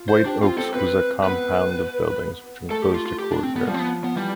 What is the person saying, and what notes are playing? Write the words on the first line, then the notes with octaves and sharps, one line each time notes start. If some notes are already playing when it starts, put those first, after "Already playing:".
White Oaks was a compound of buildings which enclosed a courtyard.
Already playing: F4
C5
D4 G4
C4 F4
C4 A4
C4 B4
B3 B4
A3 A4
G4
F4
F4
G4
D4
C4
B3
F3 G3
C4
B3
B3
E3 G3